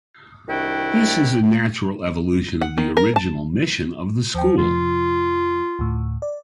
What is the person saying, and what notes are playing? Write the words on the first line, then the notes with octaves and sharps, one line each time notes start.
This is a natural evolution of the original mission of the school.
C2 D#3 D4 E4 F#4 G5
F#5
D#3
A#4
A5
D#2 F3 G5
F2 C3 F3 F4
D2 A2
D5